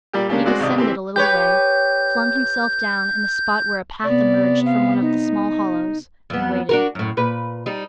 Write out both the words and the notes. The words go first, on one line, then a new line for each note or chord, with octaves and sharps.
He descended a little way, flung himself down in a spot where a path emerged from one of the small hollows, and waited.
A#2 G3 G4
C#3 G#3 A#3 C#4 D4 G4
G#3 C4 F#4 D5
G#1 C3 D5 D#5
E3 C4 G4
G4 B4 C#5 G6
C3 B3 D5
F5
D#4
F2 B3
D4 F#4 A#4
F#2 A2
A#2 B4
G3 D#4